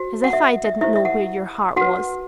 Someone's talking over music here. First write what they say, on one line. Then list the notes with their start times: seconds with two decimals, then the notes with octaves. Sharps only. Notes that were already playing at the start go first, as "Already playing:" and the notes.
As if I didn't know where your heart was.
Already playing: F#4 C5
0.24 F#5
0.33 E5
0.65 E5
0.81 E4 G4 C5 E5
0.96 E5
1.05 F#5
1.76 F#4 B4 F#5